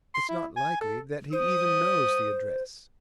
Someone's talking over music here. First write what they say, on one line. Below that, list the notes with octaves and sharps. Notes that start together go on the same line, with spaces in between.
'It's not likely that he even knows the address.'
C6
E4
G#5
A4
C5 D#6